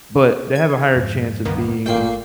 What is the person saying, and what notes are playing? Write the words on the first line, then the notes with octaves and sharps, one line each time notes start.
but they have a higher chance of being,
G#6
F2 G#2
C#2 G2 D#3 A#3 B3
G1 A#2 A3 A#3 G5 C7